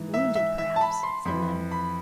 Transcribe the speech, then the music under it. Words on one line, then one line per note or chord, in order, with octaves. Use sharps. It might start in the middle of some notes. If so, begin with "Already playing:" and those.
"Wounded, perhaps!" said Neb.
Already playing: G#2 E3
E5
E5
E5
A5
B5
C6
F2 E3 B5
B5